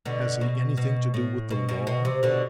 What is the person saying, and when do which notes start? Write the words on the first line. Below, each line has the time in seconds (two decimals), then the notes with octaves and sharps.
Has he anything to do with the law?'
0.05 B2 D3
0.41 B2
0.77 B2
1.14 A2
1.50 B2
1.69 B2
1.87 B2
2.05 C3
2.23 B2 D3